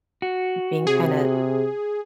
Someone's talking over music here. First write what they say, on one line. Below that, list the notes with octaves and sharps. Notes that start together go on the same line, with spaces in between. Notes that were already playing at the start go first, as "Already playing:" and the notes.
being kinda
F#4
C3 G#4